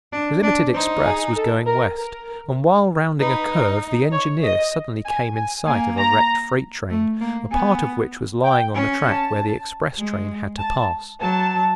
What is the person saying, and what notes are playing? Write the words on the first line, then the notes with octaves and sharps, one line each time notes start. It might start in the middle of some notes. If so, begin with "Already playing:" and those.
The limited express was going west, and while rounding a curve the engineer suddenly came in sight of a wrecked freight train, a part of which was lying on the track where the express train had to pass.
D4
D4
D#4 C5
G#4
A4
A#4
A#4
D#4 B4
C#5
D#5
G#5
G#5
A#3 G#5
A#5
A3
A#3
B3 G#5
G5
C#4 G#5
A5
G#3
A5
F#3 A5